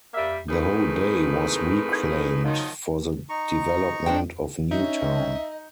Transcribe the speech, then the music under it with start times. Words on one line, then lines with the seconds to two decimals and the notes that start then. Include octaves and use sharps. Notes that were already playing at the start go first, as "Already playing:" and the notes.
The whole bay was reclaimed for the development of new town.
0.14 G3 A#3 E5
0.49 F2 A2 D#4 G#4 A#4 B4
2.44 D#3 F3 F#3 A#3 D#4
3.29 D#4 A#5 C#6
4.06 D4 C5 G5
4.71 C#4 D#4 D#5 E5